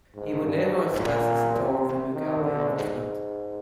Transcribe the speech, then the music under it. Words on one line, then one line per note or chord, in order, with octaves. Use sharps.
He would later express his support for Mugabe over Smith.
G#2
G2
G#2
A#2
C3
D#3
D3
G#2